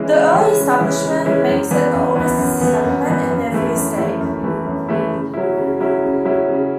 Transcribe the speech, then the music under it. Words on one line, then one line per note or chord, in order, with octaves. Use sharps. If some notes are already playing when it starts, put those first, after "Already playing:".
The early establishment makes it the oldest settlement in the Free State.
Already playing: C#3 E3 G#3 C#4 E4
C#3
E3 G#3 C#4 E4
C#3
E3 G#3 C#4 E4
C#3
E3 G#3 C#4 E4
F#2
E3 B3
F#2
E3 B3
F#2
E3 B3
F#2
E3 B3
F#2
E3 A3 E4
F#2
E3 A3 E4
F#2
E3 A3 E4
F#2
E3 A3 E4
C#3
F#3 C#4 E4
C#3
F#3 C#4 E4
C#3
F#3 C#4 E4
C#3